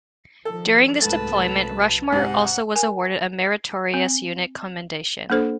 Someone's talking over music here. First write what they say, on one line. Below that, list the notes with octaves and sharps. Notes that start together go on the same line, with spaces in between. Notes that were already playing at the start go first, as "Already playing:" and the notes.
During this deployment, "Rushmore" also was awarded a Meritorious Unit Commendation.
D#3 F3 A4
C2 G#2 F#3 A3 B4 A5 A6
G#2 C3 F#5 G#5
A#4 G#5
C4
A#3 D4 A4 C5